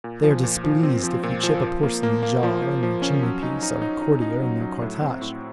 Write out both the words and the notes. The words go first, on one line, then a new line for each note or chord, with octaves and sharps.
They are displeased if you chip a porcelain jar on their chimney-piece or a courtier in their cortege.
A#2
F3
A#2
F3
C4
F3
A#2
F3
F3
A#3
A#3
A#3
F3
F3
F3
C#4
F#3
D#4
D#4
D#4
D#4
D#4
F#3
F#3
A2
C4
A2